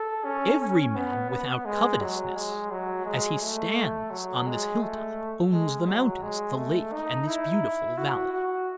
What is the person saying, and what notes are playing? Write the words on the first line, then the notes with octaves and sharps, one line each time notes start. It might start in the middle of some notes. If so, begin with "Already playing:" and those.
Every man without covetousness, as he stands on this hilltop, owns the mountains, the lake, and this beautiful valley.
Already playing: A4
C#4
C#4
B3
B3
G#3
F#3
G#3
F#3
G#3
A3
F#3
G#3
A3
G#3
F#3
G#3
A3
D#4
E4
F#4
F#4